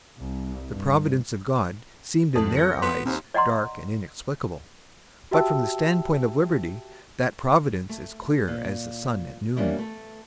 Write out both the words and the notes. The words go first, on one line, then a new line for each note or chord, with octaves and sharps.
The Providence of God seemed in their eyes dark and inexplicable; but, from the stand-point of Liberty, that Providence is clear as the sun at noon.
C2
G2
F2 A2 A4 A5
G6 A#6 C#7
B3 C6
D#2 C4
D5 D#5 F#5 A#5 C6
F#4 G4 E5 G5 A5 E6
A3
A#2
E3 G3 A#3 B3 C#4 D4
A3 B4